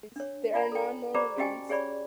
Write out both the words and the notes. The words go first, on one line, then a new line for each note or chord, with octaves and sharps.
There are now no remains.
D4 C#5
F4 D5 G#5 A#5 B5
A4 G5
G4 C5 D5 A#5 B5 D6
C#4 F#4 G4 D#5 G5 G#5
G4 G#4 C#5 D5 B5